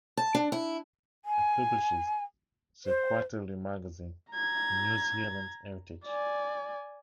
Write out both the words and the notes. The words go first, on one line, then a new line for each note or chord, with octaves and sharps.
It publishes the quarterly magazine "New Zealand Heritage".
A5
D4
E4
G#5
C5
A#5 G#6
D5 G#5